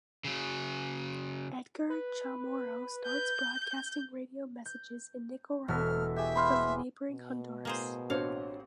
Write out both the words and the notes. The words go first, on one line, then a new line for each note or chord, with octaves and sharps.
Edgar Chamorro starts broadcasting radio messages in Nicaragua from the neighboring Honduras.
C#3 F#3
B4
G6
G6
E1 F#4 A4 E5 F6
G4 G#4 E5
B3 F5 B5 C6 F6
B2
A2 A#3 G#4 C5
A1 C4 D4 F#4 C5 C#5 F5